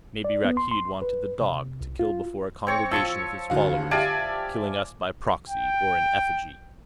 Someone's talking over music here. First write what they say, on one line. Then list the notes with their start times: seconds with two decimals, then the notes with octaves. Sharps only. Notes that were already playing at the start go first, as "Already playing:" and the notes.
Maybe Rakkeed wanted the dog, to kill before a congregation of his followers, killing us by proxy, or in effigy.
0.24 D5
0.45 B3
0.57 C6
0.71 C6
1.02 B4
1.41 C3
1.81 C2
1.99 F4
2.67 C4 C#5 C#6
2.92 F3 A5 C#6 E6 C#7
3.50 D2 F#4 F5
3.91 G4 D5 E5 F5 G#5 A5
5.50 G5